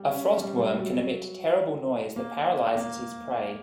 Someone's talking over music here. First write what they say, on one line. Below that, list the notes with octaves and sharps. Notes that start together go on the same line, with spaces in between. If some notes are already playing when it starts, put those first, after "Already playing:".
A frost worm can emit terrible noise that paralyzes his prey.
Already playing: G3
C#4
G3
G3
F#3
A#3
A#3